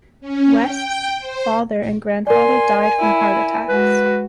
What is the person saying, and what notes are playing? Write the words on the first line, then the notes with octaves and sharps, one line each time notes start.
West's father and grandfather died from heart attacks.
C#4
G5
C5
A#4 D5 G#5 C6
E4
G#3 F#4 B4